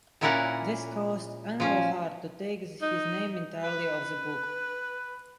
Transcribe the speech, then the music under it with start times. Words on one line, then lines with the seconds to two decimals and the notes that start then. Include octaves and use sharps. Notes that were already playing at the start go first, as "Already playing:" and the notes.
This caused Englehart to take his name entirely off the book.
0.21 A#2 C#4 E4 A#4 D5 F#5
1.60 F3 C#4
2.82 D#4
3.63 B4